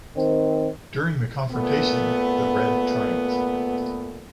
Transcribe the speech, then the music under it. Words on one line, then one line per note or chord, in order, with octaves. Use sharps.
During the confrontation, the Red triumph.
D#3 C4
A#2 A3 B3